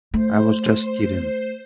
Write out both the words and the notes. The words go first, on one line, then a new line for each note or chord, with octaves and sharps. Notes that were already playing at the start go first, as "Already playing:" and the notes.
I was just kidding!
A3 C5